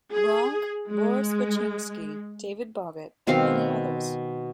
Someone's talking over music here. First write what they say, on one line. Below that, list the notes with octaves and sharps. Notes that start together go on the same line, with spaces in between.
Ronk, Boris Baczynskj, David Boggett and many others.
G#4
G#3
B2 D#3 C4 F5